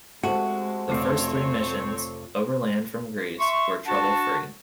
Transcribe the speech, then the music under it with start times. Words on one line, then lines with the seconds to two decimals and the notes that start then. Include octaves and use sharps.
The first three missions, overland from Greece, were trouble-free.
0.23 G#3 A3 C4 F#4 G4 C#7
0.89 F1 C4 F4 C#5 D5 A5 C7
3.39 E5 C6 C#6
3.87 D4 F#4 F#5 A5